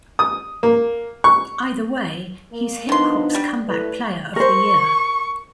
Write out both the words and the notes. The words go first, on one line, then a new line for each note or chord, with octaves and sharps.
Either way, he's hip-hop's Comeback Playa of the Year.
D#6
A#3
C#6
A#3
D#3 F3 B3 D4 D#4 C6
G3
A3 E4 B4
A#4 C5 C#6